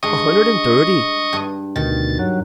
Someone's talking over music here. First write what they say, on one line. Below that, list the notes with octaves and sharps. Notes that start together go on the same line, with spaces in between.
"A hundred and thirty."
G2 G#3 D#5 C#6 D#6
G2
D2 B2 D#3 A6
G2 F#3